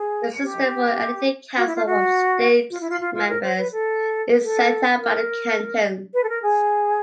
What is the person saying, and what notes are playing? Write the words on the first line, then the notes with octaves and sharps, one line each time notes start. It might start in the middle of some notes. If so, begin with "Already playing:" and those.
The system for electing the Council of States members is set out by the cantons.
Already playing: G#4
G4
F#4
E4
F4
F#4
F4
E4
F4
F4
F4
A#4
C5
B4
A4
A4
A#4
B4
A4
A#4
G#4